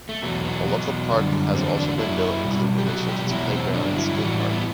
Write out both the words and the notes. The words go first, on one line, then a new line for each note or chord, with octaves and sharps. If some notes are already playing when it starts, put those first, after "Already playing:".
A local park has also been built including a children's playground and skatepark.
A3
E2 B2 F#3 B3
B3
E2 B2 F#3 B3
F#2 D3 G3
E2 D3 F#3 C4
D4
F#2 F#3 E4
B2 G3
G4
B2 F#3 F#4
G4
E2 B2 F#3 E4
C4
G2 D3 F#3 D4
E4
E4
A2 E3 G3 F#4
E4
B3